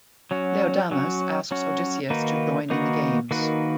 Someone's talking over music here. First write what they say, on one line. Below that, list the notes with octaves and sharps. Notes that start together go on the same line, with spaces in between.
Laodamas asks Odysseus to join in the games.
F#3 C#4 F#4
F#3 C#4 F#4
F#3 C#4 F#4
D#3 A#3 D#4 F#4 B4
D#3 A#3 D#4 F#4 B4
D#3 A#3 D#4 F#4 B4